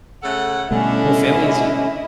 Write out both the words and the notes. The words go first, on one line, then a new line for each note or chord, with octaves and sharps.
no family is a
C#3 A3 A4 F#5
B2 D3 G3 A3 C#4 E4 D#5